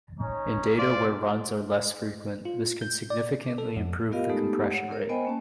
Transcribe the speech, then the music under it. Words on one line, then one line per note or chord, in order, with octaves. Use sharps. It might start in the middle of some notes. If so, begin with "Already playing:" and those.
In data where runs are less frequent, this can significantly improve the compression rate.
C#4 D#4 C#5
F4 C5 D5
F4
G6
D5
A4
F2
B3 F4 G4 A#4 D#5 F5
G#3 A3 B3 D#4 G4 A4
C#5 F#5
A#4 C#5
B3 C5 D#5 G5 G#5 B5
A#3 C#4 A5